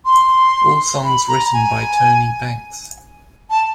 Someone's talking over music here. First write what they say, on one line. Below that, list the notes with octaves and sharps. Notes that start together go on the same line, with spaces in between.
All songs written by Tony Banks.
C6
B5
A#5
G#5
A5